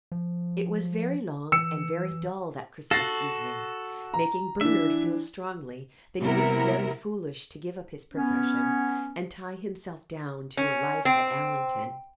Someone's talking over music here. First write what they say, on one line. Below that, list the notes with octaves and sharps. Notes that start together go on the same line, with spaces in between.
It was very long and very dull that Christmas evening, making Bernard feel strongly that he would be very foolish to give up his profession, and tie himself down to a life at Allington.
F3
E3 E6 C#7
F#4 A4 A6 A#6 C7
A#5
E3 D4 E5
C3 G3 B3 E4 A#4
B3 C#4
C#4
C4